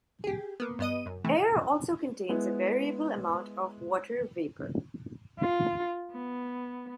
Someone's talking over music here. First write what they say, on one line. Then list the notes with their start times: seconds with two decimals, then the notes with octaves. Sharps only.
Air also contains a variable amount of water vapor.
0.24 G4 G#4
0.60 A#3 B3
0.79 G2 B3 D#5 D#7
1.06 F#2
1.24 C3 E3 A3
2.29 G#3 B3 E4
5.40 F4
6.12 B3